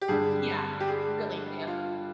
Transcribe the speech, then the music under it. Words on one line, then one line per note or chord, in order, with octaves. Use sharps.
Yeah. Really fancy.
G4
G2 D3 G3 G#4
G4
G#4
F4